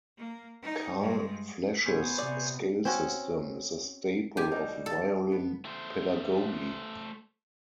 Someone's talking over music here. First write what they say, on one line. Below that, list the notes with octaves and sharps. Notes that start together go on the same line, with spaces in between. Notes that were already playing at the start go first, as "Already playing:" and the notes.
Carl Flesch's "Scale System" is a staple of violin pedagogy.
A#3
D#4
G2 G#3
A#2 B3 C5 C#5 G#5
C3 D5
C4 C#4 F#4
F3 G4 G5 G#5
G3 D#4 F#4
A4
B3
A3 C5